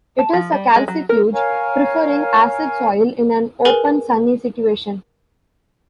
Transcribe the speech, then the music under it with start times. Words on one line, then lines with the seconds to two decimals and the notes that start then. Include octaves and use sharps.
It is a calcifuge, preferring acid soil in an open sunny situation.
0.19 A5
0.33 F3
0.52 G3
0.76 G#3
0.88 F#3
1.09 A#4
1.34 A#4 C#5 F5 G#5
3.65 G#4 A#4 B4 G#5